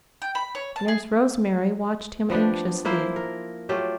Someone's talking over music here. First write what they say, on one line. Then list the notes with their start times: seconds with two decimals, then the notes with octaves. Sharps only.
Nurse Rosemary watched him anxiously.
0.22 G5
0.35 B5
0.55 C#5
0.76 A5
0.88 G#4
2.30 F3 B3 D4 G4
2.85 F3 A#3 E4 C5
3.16 A#4
3.69 F#3 A3 F4 G4